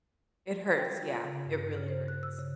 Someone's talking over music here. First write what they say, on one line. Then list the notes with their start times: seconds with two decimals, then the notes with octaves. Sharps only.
It hurts, yeah, it really hurts.
0.78 G5
1.03 F4
1.25 C#3
1.46 G2
1.77 C#3
1.88 C5
2.08 F#6
2.23 E6
2.39 C#3